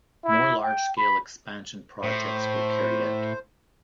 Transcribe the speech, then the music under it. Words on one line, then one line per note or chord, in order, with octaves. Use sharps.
More large-scale expansion projects were carried out.
E4
G5
B5
A2 C5